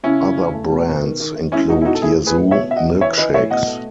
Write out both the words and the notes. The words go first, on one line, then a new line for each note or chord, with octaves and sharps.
Other brands include Yazoo milkshakes.
C#3 C#4 E4
C#3
C#3
A3
B2
B2
D#3
D#3
D#3
G#3 C#4 E4
B2 D#4 F#4
E4
B2 D#4 F#4
A4
A2 E4 G#4
A2
G#4 B4
A2
B2 C#5 E5
B2 E5
D#5 F#5
B2
E3 C#5 E5
E3 B4 D#5
A2 C#5 E5
B2 D#5 F#5
A3